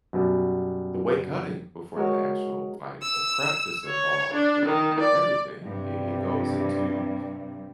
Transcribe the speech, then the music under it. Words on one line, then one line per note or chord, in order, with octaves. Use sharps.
the weight cutting before the actual fight, the prep that's involved, um, everything, it it goes into
F#2 B2 G3
G#3 F#4 A#4 C#5
E6
C#5
D4
D#3
D5
G2 C3 G3